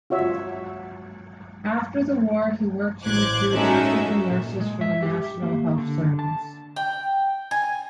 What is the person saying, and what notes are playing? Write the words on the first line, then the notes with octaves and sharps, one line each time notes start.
After the war he worked to recruit African nurses for the National Health Service.
F4 F#4 C#5 E5
A1 C5 D6 F#6 G#6
G#3 C#4 D#4 F#4 A4 E5
A#2
G#3
E5
G4
A#3
D3
A5
G5
G#5